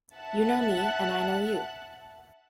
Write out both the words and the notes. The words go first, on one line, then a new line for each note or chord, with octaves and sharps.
You know me, and I know you.
E5 F#5 A5 F#6